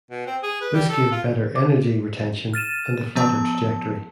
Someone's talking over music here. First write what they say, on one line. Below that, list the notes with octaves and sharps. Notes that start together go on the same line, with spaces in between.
This gave better energy retention and a flatter trajectory.
B2
C4
G#4
B4
G3
A4
F4
D6
F6 A6 D#7 E7
F3 B3 A5